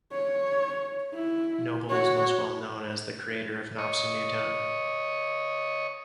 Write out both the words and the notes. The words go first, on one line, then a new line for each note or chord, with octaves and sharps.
Noble is most well known as the creator of "Nobson Newtown".
C#5
E4
F#4 C#5
C#5 D#5